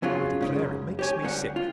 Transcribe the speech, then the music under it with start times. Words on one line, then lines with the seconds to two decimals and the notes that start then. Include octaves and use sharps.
I declare it makes me sick.
0.02 F#2 C#3 F#3 F4
0.41 G#2 C#3
0.56 C#2 F#2
0.99 G4 C#5 G#5
1.22 D2 G3 A4 F#5
1.56 F4